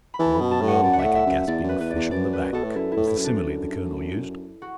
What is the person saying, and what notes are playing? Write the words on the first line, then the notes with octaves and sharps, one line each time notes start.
"For all the world like a gasping fish on the bank," was the simile the colonel used.
B5
E3 A5
B5
B2
A5
A2
F#5
F#2 D5
F#5
E5
A2
E5
F#2
E5
E2 D5
F#2
B4
E2 B4
E2 D5
F#2 D5
B4
B2 A4
A2
F#2 E4
E4
A2
E4
F#2
D4
F#4